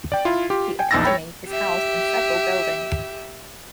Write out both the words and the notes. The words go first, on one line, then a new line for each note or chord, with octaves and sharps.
The Academy is housed in several buildings.
D5 G5
E4 F4
F4 G4
G5 G#5
A#1 E2 D#4 E6 A6 A#6
C#5 G5 B5
G4 E5